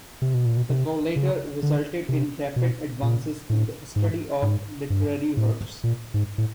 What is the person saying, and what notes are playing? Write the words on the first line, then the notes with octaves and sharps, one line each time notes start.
The collator resulted in rapid advances in the study of literary works.
C3
B2
A#2
B2
C3
C#3
D3
C3
B2
A#2
A2
G#2
G#2
G2
A2
A#2
G#2
A2